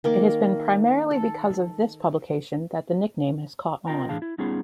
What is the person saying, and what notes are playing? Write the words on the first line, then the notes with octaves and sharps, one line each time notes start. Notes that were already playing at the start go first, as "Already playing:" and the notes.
It has been primarily because of this publication that the nickname has caught on.
D#3 A#3 A#4 D6
A4
C4 F4 A#4 D#5 G5 A#5
A2 E3 D4 G#4 F5 A5
E4
G3 B3 C#4 D#4 F4 G#4